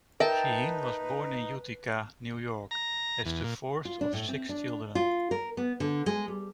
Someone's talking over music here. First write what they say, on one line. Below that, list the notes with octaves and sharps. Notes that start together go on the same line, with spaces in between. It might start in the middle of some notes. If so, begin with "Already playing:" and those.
Sheheen was born in Utica, New York as the fourth of six children.
D#4 A#4 B4 E5 G5 A5
A#5
E2
A#2
F4
D4
A2
C4
D4
F4
A#4
B3
D3
G#3
G3